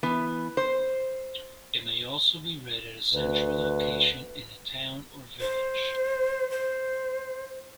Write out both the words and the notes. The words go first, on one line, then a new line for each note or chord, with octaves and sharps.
It may also be read at a central location in a town or village.
E3 B3
C5
D2 B4
C5
C5